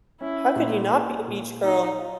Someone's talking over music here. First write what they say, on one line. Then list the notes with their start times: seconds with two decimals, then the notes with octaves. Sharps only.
How could you not be a beach girl?
0.21 C#4 E4
0.56 A#2
0.92 A#2
1.28 A#2
1.63 D#4 F4
1.99 F4